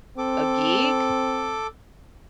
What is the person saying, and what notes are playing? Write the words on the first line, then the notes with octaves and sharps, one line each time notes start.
a gig?
C4 A4 D6